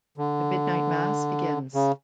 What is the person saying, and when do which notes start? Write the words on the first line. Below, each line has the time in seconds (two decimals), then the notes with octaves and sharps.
The midnight mass begins.
0.17 D3
1.74 C#3